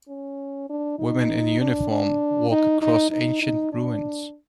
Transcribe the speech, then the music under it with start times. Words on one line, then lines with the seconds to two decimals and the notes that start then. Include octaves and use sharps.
Women in uniform walk across ancient ruins.
0.09 C#4
0.70 D4
0.99 D#4
1.61 D4
1.90 D4
2.51 D#4
2.82 D#4
3.11 D#4
3.42 D#4
3.73 D4